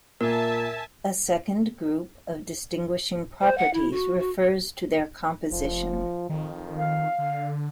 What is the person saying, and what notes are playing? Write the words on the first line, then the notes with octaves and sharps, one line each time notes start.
A second group of distinguishing properties refers to their "composition".
A#2 A#4 E5 G#5 A5
C5
F#5
E4
F#4
F#4
F1 F3
F2 D#3
F5
D3